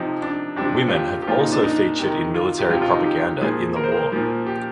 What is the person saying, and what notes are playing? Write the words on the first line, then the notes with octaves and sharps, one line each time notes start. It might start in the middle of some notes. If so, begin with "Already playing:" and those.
Women have also featured in military propaganda in the War.
Already playing: C3 F3 D#4
D4
C3 F3 D4
F4
G4
G4
A#2 F3 F4
D#4
D4
D#4
C3 D#3
F4
G4
C3 F3 F4
F4
D#4
G4
A#2 F3 G#4
A#4
C5
A#4
A#2 F3
G4